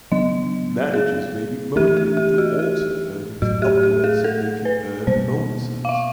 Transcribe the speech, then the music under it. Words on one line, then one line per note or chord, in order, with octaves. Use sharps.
Managers may be motivated to alter earnings upward so they can earn bonuses.
C#3 F#3 B3 D4 D#5
G#4
E3 A3 D4 G4
G4
G4
F#4
G4
A2 F#3 A3 F#4
G4
G4
G#4
A4
B4
B2 G3 A#3 C5
F5
E5